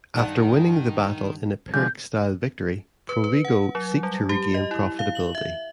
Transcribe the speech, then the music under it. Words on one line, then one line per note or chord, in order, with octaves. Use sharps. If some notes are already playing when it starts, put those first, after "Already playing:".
After winning the battle in a Pyrrhic style victory, Provigo seek to regain profitability.
G2 D#3 F#5 A5
D3 F3 G#3 G6
B4
B4
F#5
F#3
G3
G4
D#5
E4
F5
F#7
E5